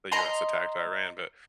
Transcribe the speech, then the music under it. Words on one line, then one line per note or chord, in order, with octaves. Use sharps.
the US attacked Iran, but
D#5 A#5 C6